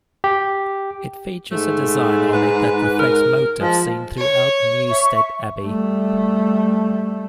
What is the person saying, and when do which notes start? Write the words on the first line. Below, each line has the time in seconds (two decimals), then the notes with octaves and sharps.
It features a design on it that reflects motifs seen throughout Newstead Abbey.
0.24 G4
1.52 G#2 A3
2.33 B4
2.99 A#4
3.60 F3 G#3
4.18 C#5
4.89 E5 C#6
5.64 G3 A3